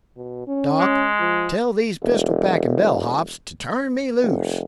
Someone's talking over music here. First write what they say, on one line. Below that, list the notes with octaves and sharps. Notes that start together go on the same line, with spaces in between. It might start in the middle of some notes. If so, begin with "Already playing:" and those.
"Doc, tell these pistol-packing bellhops to turn me loose."
B2
C#4
G#3
F3
E1
F1